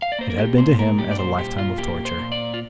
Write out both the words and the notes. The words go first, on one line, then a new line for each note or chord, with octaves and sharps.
It had been to him as a lifetime of torture.
F5
D5
A#3 C5
A#4
G4
A#2 C5
A#4
G3 G4
D5
C5
A#2 G4
F4
A#3 G4
C5
A#2
D5
F4